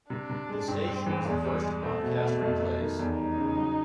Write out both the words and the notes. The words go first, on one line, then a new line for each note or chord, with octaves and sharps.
The station was the first to podcast replays.
C3 D4
C3
G#3
G2 C4
G2
E3
E2 G#3
G3
G3
A3 C4
B2
B2
F2
C3
D#3
E2 D#4
G3
C#3
F#3